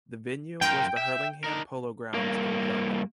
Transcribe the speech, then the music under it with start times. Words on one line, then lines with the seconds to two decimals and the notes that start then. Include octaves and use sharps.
The venue was the Hurlingham Polo Grounds in London.
0.61 F#2 F4 A#4 G5
0.97 E5
1.44 D4 D#4 A#4
2.14 G2 A#3